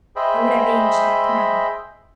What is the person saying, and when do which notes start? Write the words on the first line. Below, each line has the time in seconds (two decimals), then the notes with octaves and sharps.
'I would avenge that man.'
0.16 G#4 C5 D#5 E5 G5 B5